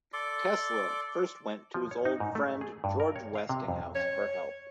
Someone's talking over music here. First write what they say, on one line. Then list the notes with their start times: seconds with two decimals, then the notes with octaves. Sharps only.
Tesla first went to his old friend George Westinghouse for help.
0.13 A4 D5 C6 D6
1.74 F3
1.91 C#5
2.05 D#4
2.20 G#2
2.35 A3
2.61 G#4
2.84 G2
3.00 A#4
3.16 C#5
3.35 F5
3.49 C3
3.68 F2
3.95 C#5